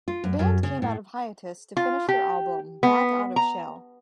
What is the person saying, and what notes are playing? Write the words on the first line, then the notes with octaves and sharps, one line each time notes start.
The band came out of hiatus to finish their album "Bat Out of Shell".
F4
F#2
F#2
C#3
A2
F4
G4
B3
A#5